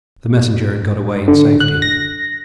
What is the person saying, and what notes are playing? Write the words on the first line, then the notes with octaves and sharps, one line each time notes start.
The messenger had got away in safety.
D3
F#6
A#6